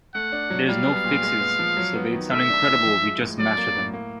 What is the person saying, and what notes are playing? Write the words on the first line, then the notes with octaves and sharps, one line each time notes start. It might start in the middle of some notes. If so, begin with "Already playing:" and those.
There's no fixes, so they'd sound incredible if we just master them.
A3 F#5
D4
F#3
G3 F5
B3
A#2
G#3
B3
F3
F#3
B3
D#3
A3 E5
D4
E3
F3
G#3
A2
F#3 D5
A#3
A2
A#3